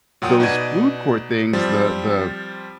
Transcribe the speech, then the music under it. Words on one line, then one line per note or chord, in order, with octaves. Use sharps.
those food court things, the the
A#2 F#3 F#5 G5 D#6
B2 D#4 B4 D5 G#6 D#7
F3 G3 C4